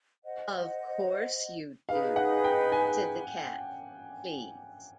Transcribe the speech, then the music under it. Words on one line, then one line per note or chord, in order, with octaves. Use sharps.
"Of course you do,"said the Cat, pleased.
C5 D#5 F#5
D#4 G#4 B4 F5
F#5
G5
G#5